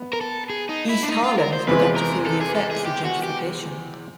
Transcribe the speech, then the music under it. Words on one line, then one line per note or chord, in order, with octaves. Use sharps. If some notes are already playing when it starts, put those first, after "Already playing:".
East Harlem has begun to feel the effects of gentrification.
Already playing: B3
A#4
A4
G#4
D#4
E4
D4
D#4
F4
A#4
C5
E2 C3 E3 G#3 B4
A#4
A4
G#4
A4
G#4
G4
F#4
G4